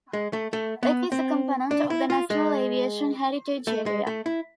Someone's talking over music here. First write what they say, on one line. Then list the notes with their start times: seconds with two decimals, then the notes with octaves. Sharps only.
It is a component of the National Aviation Heritage Area.
0.13 G#3
0.33 A3
0.53 A3
0.83 B3
1.12 C4
1.71 D4
1.90 E4
2.10 F4
2.30 G#3
3.67 A3
3.86 G#3
4.07 A3
4.26 E4